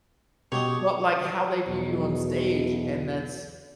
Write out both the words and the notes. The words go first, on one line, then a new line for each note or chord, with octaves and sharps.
but, like, how they view you on stage, and that's,
B2 G4 G#4 C#5 D#5
B1 E2 B2